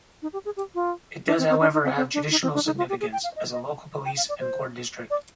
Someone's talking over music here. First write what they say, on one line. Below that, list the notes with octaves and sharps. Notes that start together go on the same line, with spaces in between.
It does, however, have judicional significance, as a local police and court district.
D#4
G4
G#4
G4
F4
D4
C4
C4
D4
D#4
C4
C4
D4
D#4
C4
D4
D#4
F4
G4
G#4
G5
F5
D#5
D#5
G5
F5
D5
C5
D5